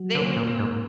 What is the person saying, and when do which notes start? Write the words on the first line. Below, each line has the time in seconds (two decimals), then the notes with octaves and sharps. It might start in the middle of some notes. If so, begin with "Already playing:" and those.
they would do it
Already playing: F#3
0.15 D3
0.22 A#3
0.37 A#2
0.51 A#3
0.59 G#2